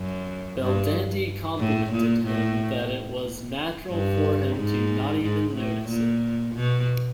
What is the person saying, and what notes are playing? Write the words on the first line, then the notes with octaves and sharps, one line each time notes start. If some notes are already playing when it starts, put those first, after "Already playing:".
Belldandy complimented him that it was natural for him to not even notice it.
Already playing: F#2
G2
A2
A#2
A2
G2
G#2
G#2
A2
A#2
B2